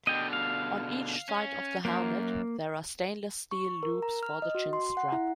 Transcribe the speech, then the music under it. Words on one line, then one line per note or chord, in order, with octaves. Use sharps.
On each side of the helmet there are stainless steel loops for the chinstrap.
B2 D3 D#5 G5
F5
C#4
F#2 A#3
C#6
A#4
A#5
F6
D#5
F#4
C6
F#5
E4